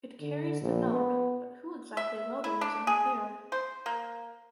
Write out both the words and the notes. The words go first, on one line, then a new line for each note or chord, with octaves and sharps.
It carries the note but who exactly wrote it is unclear.
D3
A#1
B3
E5
E4
D4
G#4
C5
A#3